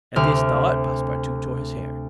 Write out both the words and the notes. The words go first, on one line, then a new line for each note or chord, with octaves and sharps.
At this thought Passepartout tore his hair.
D2 C3 F6